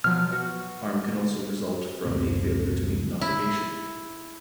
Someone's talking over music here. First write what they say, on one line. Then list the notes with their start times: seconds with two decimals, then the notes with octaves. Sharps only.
Harm can also result from a failure to meet an obligation.
0.04 B2 F3 F#3 F6
0.31 B3 F#4
2.05 F#1 D2 B2 C4
3.21 E4